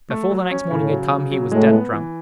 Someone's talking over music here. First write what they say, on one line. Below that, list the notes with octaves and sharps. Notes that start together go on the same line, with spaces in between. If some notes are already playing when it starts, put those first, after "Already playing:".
Before the next morning had come he was dead drunk!
A3
F#3
C#4
A2 C#3
F#3
C#3
F#3
A2 G#3
B3
E3